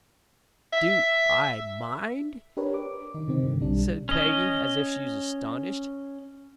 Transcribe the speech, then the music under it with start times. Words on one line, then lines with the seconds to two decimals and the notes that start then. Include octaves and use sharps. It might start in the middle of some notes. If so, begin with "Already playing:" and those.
"Do--I--MIND?" said Peggy, as if she was astonished.
0.73 E5
2.57 D4 G4 A#4 B4 C#5
2.74 D6
3.14 D#3 D#4
3.28 C3 D#3 C4
3.43 G2 D3
3.61 B1 G3 D4
4.09 C#4 D#5